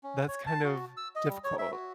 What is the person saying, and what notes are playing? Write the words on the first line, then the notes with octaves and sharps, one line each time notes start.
that's kind of difficult.
C#4
C#5
A5
F#4
E6
D#5
G3
C#5
E5
F#4